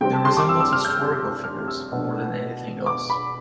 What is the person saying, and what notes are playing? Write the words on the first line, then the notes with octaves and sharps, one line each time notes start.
They resembled historical figures more than anything else.
C3 G3 C4 G5
A5
C6
D6
E6
E6
F6
G6
F6
E6
B2 B3 D4
D6
B5